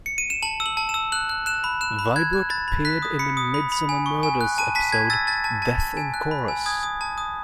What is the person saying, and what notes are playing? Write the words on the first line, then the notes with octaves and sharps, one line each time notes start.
Vibert appeared in the "Midsomer Murders" episode "Death in Chorus".
C#7
D#7
E7
A5 F#7
E6
F#7
A5
E7
E6
F#6 F#7
F#6
F#6 E7
B5
F#6 E7
B5
F#6 G#6
F#6
B5 A6
B5
F#6 B6
D#6
B5 C#7
D#6
B5
B5
G#5
C#6
G#5
F#6
A5 D#7
A5 B6
A5 G#6
E6 A6
A5 A6
A5
A5
A5
G#5
F#6
B5
G#5
D#6 G#6
D#6
A5
D#6